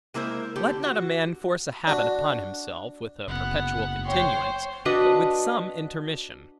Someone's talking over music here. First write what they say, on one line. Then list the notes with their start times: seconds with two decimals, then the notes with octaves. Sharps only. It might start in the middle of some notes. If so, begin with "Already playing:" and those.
Let not a man force a habit upon himself, with a perpetual continuance, but with some intermission.
0.14 G#3 A#3 E4 A#4 C5
0.56 D3 G4
0.83 F#4
1.87 D4 F#4
3.28 F#1 B3 F#5
4.06 C5 C#5 G5 C6
4.85 D4 F#4 B4 D#5